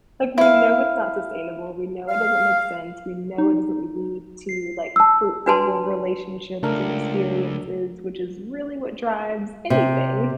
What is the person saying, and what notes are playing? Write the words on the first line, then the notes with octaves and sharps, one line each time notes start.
Like, we know it's not sustainable. We know it doesn't make sense. We know it doesn't lead to, like, fruitful re relationships and experiences, which is really what drives anything.
E4 F5
F5
D#4
C7
A5 E6
D4 F#4 B4 G#5 A5 C6
C#2 A3 D4 A#4
C3